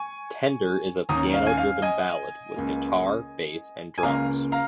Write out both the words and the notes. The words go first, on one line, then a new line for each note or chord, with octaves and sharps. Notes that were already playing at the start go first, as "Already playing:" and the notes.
"Tender" is a piano-driven ballad, with guitar, bass and drums.
Already playing: G#5 C#6
D#2 D#3 C#4 A#5 D#6
F5
G#5
F5
D#5 G#5
C#2 C#3 A#3
G#5
C#2 C#3 A#3 F5 A#5
F5 A#5